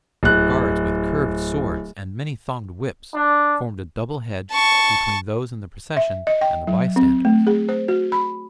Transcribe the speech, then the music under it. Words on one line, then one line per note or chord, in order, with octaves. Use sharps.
Guards with curved swords and many-thonged whips formed a double hedge between those in the procession and the bystanders.
D1 F#6
D4
A5 C#6
E5
D#5
G5
F#3
C4
A3
G#4
C5
F#4
B5